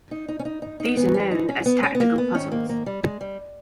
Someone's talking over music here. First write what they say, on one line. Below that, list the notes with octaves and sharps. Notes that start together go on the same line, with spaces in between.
These are known as tactical puzzles.
D#4
D#4
C#4
D#4
D#4
D#4
G#2 E3 B3
C#4
D#4
C#4
B3
C#4
B3
A#3
B3
G#2 D#3 C#4
A#3
A#3
G3
G#3
G3